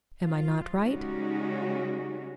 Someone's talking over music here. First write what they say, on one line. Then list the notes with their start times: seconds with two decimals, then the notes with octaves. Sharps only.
Am I not right?
0.22 F3 F4
0.79 C#3 G3 G#3 C#4 D#4 F#4